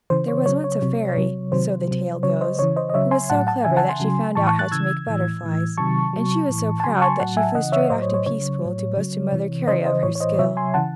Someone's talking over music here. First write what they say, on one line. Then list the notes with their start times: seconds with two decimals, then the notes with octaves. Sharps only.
There was once a fairy, so the tale goes, who was so clever that she found out how to make butterflies, and she was so proud that she flew straight off to Peacepool to boast to Mother Carey of her skill.
0.10 C#3 E3 C5
0.28 C#5
0.46 C#3 F#3 C#5
0.64 C#5
0.82 C3 F#3
1.17 C3 F#3
1.52 C3 D#3 F#3 C5
1.88 C3 F#3
2.23 C#3 F#3 C#5
2.41 C5 D#5
2.59 C#3 E3 C#5
2.76 C5 D#5
2.90 D#5
2.94 C#3 F#3 C#5 E5
3.11 G#5 C6
3.30 A2 F#3 F#5 A5
3.47 F#5 A5
3.64 C#3 E3 E5 G#5
3.77 F#5 A5
3.89 G#5 C6
4.00 C#3 F#3
4.35 A2 E3 A5 C#6
4.47 A5 C#6
4.59 F#6 A6
4.72 C#3 E3 E6 G#6
5.07 A2 E3
5.43 A2 E3
5.77 C3 D#3 F#3 A5 C#6
6.13 C3 F#3
6.49 A2 E3
6.80 A5
6.84 C#3 F#3 G#5 C6
7.01 A5 C#6
7.20 A2 F#3 F#5 A5
7.37 E5 G#5
7.55 C#3 E3 D#5 F#5
7.72 C#5 E5
7.90 A2 C5 D#5
7.95 F#3
8.02 C#5
8.14 C#5
8.26 C#3 F#3 C#5
8.61 A2 F#3
8.97 C#3 F#3
9.32 C3 E3
9.68 C#3 E3 C5 D#5
9.85 C5 D#5
10.03 A2 E3 C#5
10.15 C#5
10.20 C5 D#5
10.38 C3 F#3 C#5 E5
10.57 G#5 C6
10.74 C#3 E3 F#5 A5